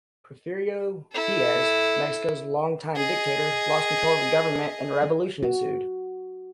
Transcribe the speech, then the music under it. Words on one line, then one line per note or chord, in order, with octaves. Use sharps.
Porfirio Diaz, Mexico's longtime dictator, lost control of the government and revolution ensued.
E4 A4
G#4 D#5
F#4